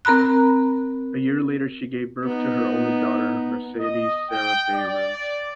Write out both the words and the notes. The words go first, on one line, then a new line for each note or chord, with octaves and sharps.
A year later she gave birth to her only daughter, Mercedes Sarrabayrouse.
C4 A#4 A#5 B5 F#6
B3 D#4
D#5
G5
D5